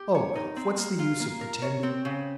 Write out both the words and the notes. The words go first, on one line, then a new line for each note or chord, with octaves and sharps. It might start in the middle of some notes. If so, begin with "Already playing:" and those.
Oh, Ralph, what's the use of pretending?
Already playing: G4
C#5
D#4
C4
A#3
F4
A#3
A#4
C#5
C4
C#3